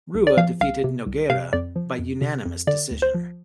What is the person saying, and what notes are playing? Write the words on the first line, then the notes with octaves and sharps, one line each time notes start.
Rua defeated Nogueira by unanimous decision.
C2
D5
F3 F5
C2 F5
C3
C2
C3 F5
F2 D5
F3
F2
C3
F2
D3 D5
D2
C5
F3